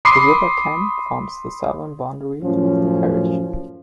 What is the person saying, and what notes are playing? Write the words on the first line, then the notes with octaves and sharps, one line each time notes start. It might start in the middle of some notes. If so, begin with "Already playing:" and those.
The River Cam forms the southern boundary of the parish.
B5 C6 D6 D#6 C7
F#2 A2 F3 C#4